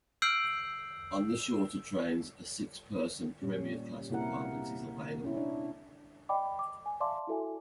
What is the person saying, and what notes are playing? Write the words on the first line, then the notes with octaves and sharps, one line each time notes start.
On the shorter trains, a six-person Premier Class compartment is available.
E6 F6 G6 C7 D7 F#7
A#2 G3 C#4
C3 A#3 E4 A#4 F#5
C#4 E4
D4 E4
D5 D#5 G5 B5 D6
D6
G#5
D5 E5 F5 A5 C6 D6
E4 F#4 A4 E5 G#5